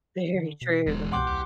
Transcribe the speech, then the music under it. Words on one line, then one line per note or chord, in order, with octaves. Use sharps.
Very true.
D3
B2
D#1 E2 G#3
C2 B2 F#5 G5 C6 D6 F#6
D#2 G4